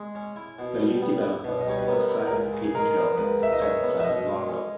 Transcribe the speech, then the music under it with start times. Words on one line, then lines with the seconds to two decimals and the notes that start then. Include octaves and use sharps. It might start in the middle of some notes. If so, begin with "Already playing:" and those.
The lead developers are Simon Peyton Jones and Simon Marlow.
Already playing: G#3
0.15 C#4
0.36 E4
0.58 B2
0.80 G3
1.02 B3
1.22 E4
1.44 B2 B4
1.61 D#5
1.66 G3 C#5
1.79 B4
1.87 B3 A#4
2.09 E4
2.27 A#4
2.31 C#2 G#4
2.53 C#3
2.64 G#4
2.75 G#3 A#4
2.97 B3
3.17 C#2 B4
3.40 C#3 E5
3.53 D#5
3.61 G#3 C#5
3.83 B3
4.00 E5
4.04 B2 D#5
4.26 G#3
4.48 C#4